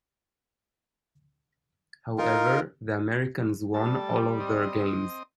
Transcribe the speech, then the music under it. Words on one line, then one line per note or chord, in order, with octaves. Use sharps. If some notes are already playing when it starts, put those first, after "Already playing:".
However the Americans won all of their games.
D#4 F4 A#4
G3 A3 A5
C4 D#5